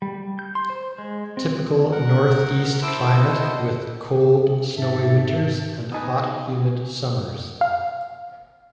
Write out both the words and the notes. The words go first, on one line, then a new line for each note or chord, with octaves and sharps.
Typical Northeast climate with cold, snowy winters and hot humid summers.
G3
G6
C6
C5
G#3
C4
A#4 F#5
E4 A4 C5 D6 E6
D#5 F#5
G#2 A4 E5
B3 D#4 B4 D#5 G#5 D#6
F5